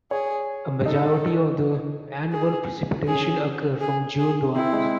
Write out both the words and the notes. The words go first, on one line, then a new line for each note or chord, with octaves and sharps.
A majority of the annual precipitation occurs from June to August.
G#4 C#5
D#4 A4
G#4
C#4 G#4
G#4
G#4
C4 E4
G#3